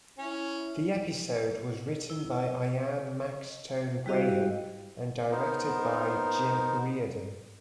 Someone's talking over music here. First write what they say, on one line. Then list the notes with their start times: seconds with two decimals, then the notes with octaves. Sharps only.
The episode was written by Ian Maxtone-Graham and directed by Jim Reardon.
0.18 C#4 E4
2.10 E4
2.40 D#5
4.06 G3 E4 F#4 G4 D#5 F5
5.32 B3 D#4 A#4 C5